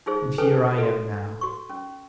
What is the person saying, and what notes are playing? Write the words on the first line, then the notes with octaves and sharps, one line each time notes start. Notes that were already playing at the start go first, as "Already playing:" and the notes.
And here I am now.
D#4 F4 G#4 C5
C#4 A4 B4 G#5 A5
F#4 A4
F#4 C#6
C#4